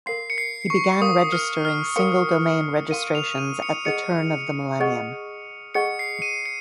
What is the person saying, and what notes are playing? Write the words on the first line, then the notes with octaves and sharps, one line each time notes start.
He began registering single domain registrations at the turn of the millennium.
A#4 F5 C6 C7
C#7
C7
C#6
A#4 F5 C6 D#6
F6
F6
A#4 F5 C6 C#7
A#4 F5 C6 D#7
F7
D#7
C#7
G#4 D#5 F#5 C#6 C#7
G#4 D#5 F#5 C#6
G#4 D#5 F#5 C#6 C#7
C7
D#7
C#7